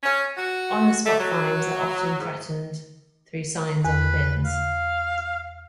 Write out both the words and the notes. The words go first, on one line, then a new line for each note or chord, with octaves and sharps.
On-the-spot fines are often threatened through signs on the bins.
C#4
F#4
A3
F#3
G#2
E2 B4
F5